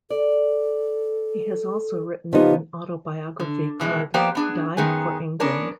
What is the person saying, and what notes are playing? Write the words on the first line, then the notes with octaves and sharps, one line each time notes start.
He has also written an autobiography called "Dai for England".
A4 D5
C#3 F3 B3 D#4 F4 G4
D3
B2 E3 G3 G#3
F3 A#3 B3 G4 C5 D5
B3 D4 G#4
F#2 D#3 B3 G#4
B3 C#4 D4 A#4